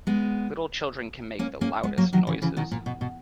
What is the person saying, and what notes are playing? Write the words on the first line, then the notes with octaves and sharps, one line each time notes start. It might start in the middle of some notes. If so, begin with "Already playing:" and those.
Little children can make the loudest noises.
G#3 B3
A#3 C#4
A#3 C#4
G#3 B3
F#3 A#3
D#3 F#3
C#3 E3
C#3 E3
B2 D#3
A#2
B2
B2